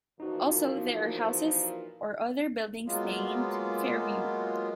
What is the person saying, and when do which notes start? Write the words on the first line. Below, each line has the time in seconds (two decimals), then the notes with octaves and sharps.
Also there are houses or other buildings named Fairview.
0.20 A#2 E3 F3 D#4 F#4
2.87 F#3 G#3 A#3 B3 F4